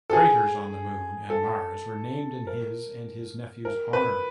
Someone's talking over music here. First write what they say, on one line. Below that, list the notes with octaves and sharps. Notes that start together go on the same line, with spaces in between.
Craters on the Moon and Mars were named in his and his nephew's honor.
A4
G#4
A4
A#4
A#4
B4